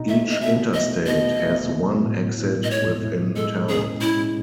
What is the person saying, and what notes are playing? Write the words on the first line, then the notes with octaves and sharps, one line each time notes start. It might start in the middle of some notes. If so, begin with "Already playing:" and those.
Each interstate has one exit within town.
Already playing: B2 D#4
A3 E5
D#5
B2 E5
A3 D#5
B2 D#5
A3
B2
A2
A2
D#5
G#3 C#5
E4
G#3 A4
C#4 G#4
C#4 E4